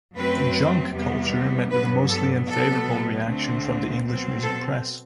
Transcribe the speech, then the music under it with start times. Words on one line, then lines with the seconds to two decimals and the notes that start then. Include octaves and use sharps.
"Junk Culture" met with a mostly unfavourable reaction from the English music press.
0.15 F#2 F#3 A3 C4 B4
0.92 E2 C3 G3 B3
1.70 G2 F#3 B3 B4
2.08 A4
2.48 B2 F#3 B3 A4
3.26 D2 D3 A3 C4
4.03 B2 F#3 C4
4.42 A4